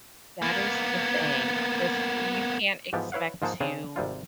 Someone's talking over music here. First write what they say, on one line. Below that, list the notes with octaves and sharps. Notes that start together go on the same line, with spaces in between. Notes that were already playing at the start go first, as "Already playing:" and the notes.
that is the thing. This you can't expect to
A#3 B3
G#2 E3 F3 B3 G4
E4 B4 C#5 F5 F#5
G#2 F3 G#3 A#3 D#4 A5
C#3 C4 D4 G4 G#4
G#1 C3 G3 F4